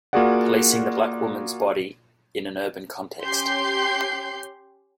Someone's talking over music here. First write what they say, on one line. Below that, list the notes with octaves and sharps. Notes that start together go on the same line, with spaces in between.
Policing the Black Woman's Body in an Urban Context.
A#3 F4 F#4 G#4 D5 F#5
C#4 G4 C6 G6 C7